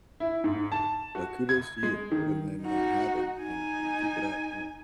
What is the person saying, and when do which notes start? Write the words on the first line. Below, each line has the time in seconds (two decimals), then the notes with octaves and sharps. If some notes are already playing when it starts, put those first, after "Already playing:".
So, kudos to you for putting in that habit and and keep it up, really.
0.20 E4
0.44 G#2
0.72 A5
1.15 F#4
1.49 G#6
1.83 G#3
2.12 D#3
2.62 D#4 F#4
3.39 D#4 G#5